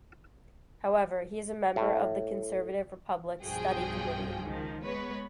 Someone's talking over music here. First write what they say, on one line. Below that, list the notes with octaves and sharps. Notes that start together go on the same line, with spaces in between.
However, he is a member of the conservative Republican Study Committee.
A2
B1 G2 F3 F#4 G#4 G5
C#2 D#3 F3
G#3 B3 B4 C#5